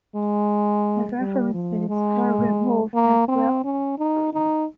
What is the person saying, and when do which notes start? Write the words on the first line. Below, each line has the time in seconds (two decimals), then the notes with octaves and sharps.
The references were removed as well.
0.16 G#3
1.20 G3
1.54 F3
1.89 G#3
2.94 A#3
3.28 C4
3.65 C#4
3.99 D#4
4.34 D#4